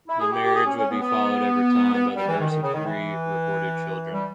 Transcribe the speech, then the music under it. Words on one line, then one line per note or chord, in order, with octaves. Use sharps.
The marriage would be followed over time by the births of three recorded children.
E4
G#4
G4
G4
G#4
C#4
C#4
B3
B3
B3
G3
E3
D#3
D#3
C#3
D#3
E3
G3